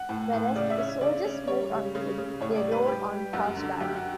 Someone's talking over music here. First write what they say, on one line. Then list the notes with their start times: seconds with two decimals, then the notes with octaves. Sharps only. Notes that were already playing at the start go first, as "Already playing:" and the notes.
Whereas the soldiers moved on foot, they rode on horseback.
Already playing: F#5
0.09 A2
0.33 A2
0.55 C#3 D5
0.70 E5
0.78 C#4
1.01 C#3 D5
1.25 C#4
1.47 G3 C#5
1.71 C#3
1.95 C#3
2.18 C#3
2.41 A2 C#5
2.56 D5
2.64 G3
2.72 B4
2.87 G3 G4
3.10 G3
3.33 F#2 F#4
3.57 D3
3.80 F#2 G4
3.95 F#4